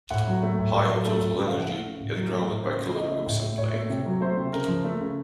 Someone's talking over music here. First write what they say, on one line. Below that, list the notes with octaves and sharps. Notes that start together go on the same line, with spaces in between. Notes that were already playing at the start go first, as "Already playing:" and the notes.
High on total energy yet grounded by killer hooks and playing.
A2 F#5
F#3
A3
A2
A2 A#4
A#4
F#3 A4
A3 A4
A2
C#3 A4
F5
F3
F#5
A3 F5
C#3
A2
F#3
A3 A4
A#4
A2
A#4
C#3 C5
A3
C#3 D#5
A3
A2
A3
A2 C#5
A3
C3
F#3
A3 C5
C3
C#3 A#4
F3
A3
C#3